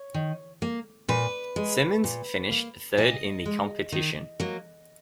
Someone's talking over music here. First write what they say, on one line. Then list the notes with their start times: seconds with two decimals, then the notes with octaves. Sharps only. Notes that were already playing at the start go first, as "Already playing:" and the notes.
Simmons finished third in the competition.
Already playing: C#5
0.14 D#3
0.62 A#3
1.08 A#2 B4
1.56 G#3
2.04 A#2
2.51 A#3
2.97 A#2 D#5
3.46 G#3
3.92 D#3
4.40 F#3 A#3